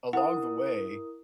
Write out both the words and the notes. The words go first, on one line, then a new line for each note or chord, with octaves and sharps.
along the way,
E4 A#4 F#5 D#6